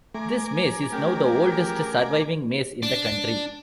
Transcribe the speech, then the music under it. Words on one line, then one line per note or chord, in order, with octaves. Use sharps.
This mace is now the oldest surviving mace in the country.
A3 G#5 A#5 D6
A3 C#4 G4 G#4 A#4
D4